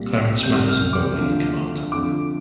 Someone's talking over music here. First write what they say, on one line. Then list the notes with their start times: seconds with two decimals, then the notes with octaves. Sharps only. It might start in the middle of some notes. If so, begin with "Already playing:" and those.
Clarence Matheson Bowley in command.
Already playing: C2 A#2 G3
0.43 C2 C3 G3 G6
0.69 F6
0.93 D6
1.18 D2 D3 F3
1.92 F2 D3 F3 D6